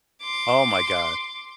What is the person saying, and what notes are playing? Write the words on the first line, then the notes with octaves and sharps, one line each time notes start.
Oh my god.
C6 D6